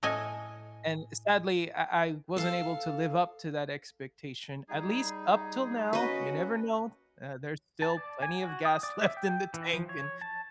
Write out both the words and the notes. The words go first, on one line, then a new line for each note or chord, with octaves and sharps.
and sadly, I I wasn't able to live up to that expectation, at least up till now, you never know, uh, there's still plenty of gas left in the tank, and,
A2 A4 D#5 G#5
A4 F5
G3 D#4 G#4
A#3 C#4 F#4 B4 D#5
A5
D5
G#5
F#4
D#6
D5
E5
G5
E3
F3
C#5
A5